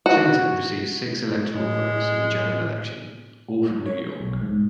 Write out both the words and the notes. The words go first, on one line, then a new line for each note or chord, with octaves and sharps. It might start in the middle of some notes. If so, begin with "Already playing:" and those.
Clinton received six electoral votes in the general election, all from New York.
F#4
A2 G#3
G3
C#5
B1
G#2